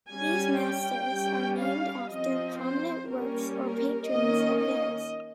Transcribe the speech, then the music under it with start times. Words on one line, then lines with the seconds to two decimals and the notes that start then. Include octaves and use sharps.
These masters are named after prominent works or patrons of theirs.
0.10 G3 C#4 G#5
0.61 G5
1.10 G3 C#4
1.60 F5
2.10 F3 C4 D#5
2.61 C5
3.10 G3 A#3 C#4 A#4
3.61 A#4
4.10 D#3 A#3 C#4 D#5
4.60 D#5